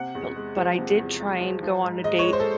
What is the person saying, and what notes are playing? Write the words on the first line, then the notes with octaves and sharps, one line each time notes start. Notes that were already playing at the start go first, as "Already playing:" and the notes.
But l but I did try and go on a date,
Already playing: C3 F#5
E2
G#3
F3
C3
E2
G#3
F3
F3
G#2
G#2 D#5
C#5
G#3
C5
A4